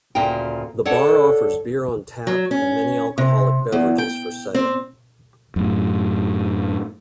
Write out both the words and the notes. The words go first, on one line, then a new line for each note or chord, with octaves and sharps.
The bar offers beer on tap and many alcoholic beverages for sale.
D2 A#2 C#3 A#4 G5
A4 C#5 D5 F#5 A5
F#3
C#4
C3
E2
G5
C4
F#2 A2